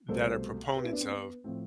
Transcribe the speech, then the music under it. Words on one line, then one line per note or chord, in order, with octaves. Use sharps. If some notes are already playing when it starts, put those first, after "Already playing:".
that are proponents of
C2 B2 A3 A4 C5
G4 B4
C4 E4
B3 D4
C4
B3
A2 F3 C4